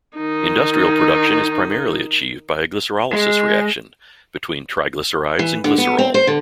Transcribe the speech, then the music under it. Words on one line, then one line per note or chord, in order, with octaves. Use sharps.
Industrial production is primarily achieved by a glycerolysis reaction between triglycerides and glycerol.
D#3 D#4
G#3
E3
D3
B3
C4
C5
D3